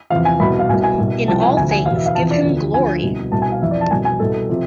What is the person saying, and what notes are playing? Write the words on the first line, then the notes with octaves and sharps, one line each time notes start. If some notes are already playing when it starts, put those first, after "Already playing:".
In all things give him glory.
E2 C3 F3 F5
G#5
C2 B2 B5
F5
C2 B2 G#5
G#5
C2 B2
C2 C3 F3 A5
G#5
D2 D3 F3 G#5
G#5
E2 B2 F5
E5
F5
E2 C3 F3 A5
D5
D2 D3 F3
D2 D3 F3 G#5
C2 B2
C2 B2 A5
G#5
F5
F2 E3 E5
D5
A5
C2 B2 G#5
G#5
C2 B2 A4
C3 F3